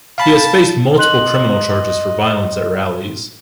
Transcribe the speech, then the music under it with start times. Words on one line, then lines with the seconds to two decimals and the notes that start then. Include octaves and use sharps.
He has faced multiple criminal charges for violence at rallies.
0.18 F5 A5 B5
0.98 D#5 C6 F#6 F#7